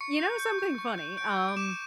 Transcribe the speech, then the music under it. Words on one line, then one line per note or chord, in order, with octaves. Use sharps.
You know something funny, um,
C#6 C#7
G6
G6
C#6
C#6
G6
G6 D7
C#6
D7
D6 E7